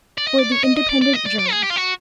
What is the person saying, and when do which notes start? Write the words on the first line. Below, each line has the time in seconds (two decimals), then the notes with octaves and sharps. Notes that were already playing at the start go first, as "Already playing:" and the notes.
For the Independent Journal.
0.18 D5
0.27 D#5
0.39 D5
0.52 C#5
0.64 D#5
0.76 D#5
0.89 D5
1.01 D5
1.13 D#5
1.26 D5
1.38 D5
1.51 G#4
1.63 G4
1.70 F4
1.76 F#4